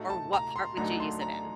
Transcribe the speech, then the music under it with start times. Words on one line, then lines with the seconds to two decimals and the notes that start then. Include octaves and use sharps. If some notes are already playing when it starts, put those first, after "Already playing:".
Or what part would you use it in?
Already playing: A2 A3 D#4 F#4
0.10 A5
0.33 A#5
0.56 C6
0.77 D2 D3 F#3 A3 D#4 A#5
1.00 C6
1.21 A#5